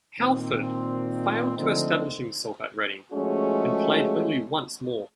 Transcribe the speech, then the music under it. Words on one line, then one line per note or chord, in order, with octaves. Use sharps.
Halford failed to establish himself at Reading, and played only once more.
A#2 D#3 C4
D3 F3 A3 A#3 C4 D#4
F3 G#3 A3 C#4 F#4 G#4